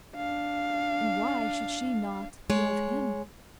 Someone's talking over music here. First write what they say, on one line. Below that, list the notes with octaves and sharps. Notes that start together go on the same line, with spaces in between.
And why should she not--love him?
D4 F5
G#3 C#5